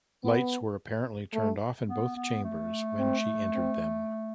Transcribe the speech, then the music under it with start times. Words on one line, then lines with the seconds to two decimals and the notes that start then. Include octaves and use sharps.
Lights were apparently turned off in both chambers when she entered them.
0.24 B3
1.33 A3
1.89 B3
2.16 B3
2.44 A3
2.99 C4
3.55 C4